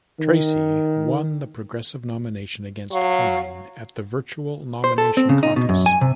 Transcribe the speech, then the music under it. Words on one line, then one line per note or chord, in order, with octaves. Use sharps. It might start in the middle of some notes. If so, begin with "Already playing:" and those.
Tracy won the Progressive nomination against Pine at the virtual nomination caucus.
D#3
F#3 F5 C#6
C5
A4
C4
C#3
D#4
B2
F#2
G#5
C3